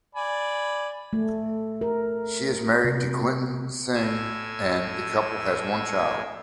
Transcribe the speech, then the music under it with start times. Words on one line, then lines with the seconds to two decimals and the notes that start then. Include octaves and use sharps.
She is married to Quinton Singh and the couple has one child.
0.15 D5 G#5 B5
1.13 A3
1.81 A#4
2.84 C3
3.95 A2 G#5 E6